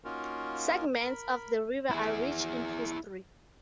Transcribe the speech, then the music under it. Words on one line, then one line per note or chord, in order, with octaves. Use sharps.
Segments of the river are rich in history.
A#3 C#4 D#4 F4 F#4 A#4
A#4 B5
E4 G#4